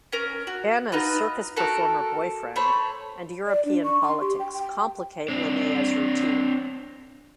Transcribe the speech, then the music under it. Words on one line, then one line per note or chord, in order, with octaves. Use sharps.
Anna's circus-performer boyfriend and European politics complicate Linnea's routine.
C#4 A#4
F#4
D#4 F4 F#4 B4
A3 F#4 A4 A#4
A3 C5 C#5 B5
D5
D4
C#6
C6
G4
G5
G5
C4 D4